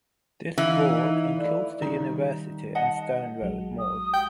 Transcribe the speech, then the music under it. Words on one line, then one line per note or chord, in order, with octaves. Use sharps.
This ward includes the University and Stone Road Mall.
E3 D#4 F5
A3 E4 D5
D#3 G3 D#4
D#5 F#5 A5
A#1 F#3 G#3
D#6
G5